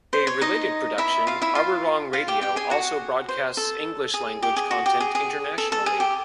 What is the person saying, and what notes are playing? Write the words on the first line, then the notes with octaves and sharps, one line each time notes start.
A related production, Arirang Radio, also broadcasts English-language content internationally.
C5
C#5
D#4 D#5
E4 E5
F4 F5
E4 E5
F4 F5
F4 F5
G4 G5
G4 G5
G#4 G#5
F#4 F#5
C5
A4
G#4
G4
G#4
F#4
G4
G#4
G#4
A4
A4
G#4
G4